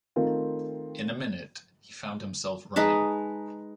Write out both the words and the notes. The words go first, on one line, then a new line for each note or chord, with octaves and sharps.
In a minute he found himself running.
D#3 A3 C4 F4 A#4
G#3 D#4 B4 A5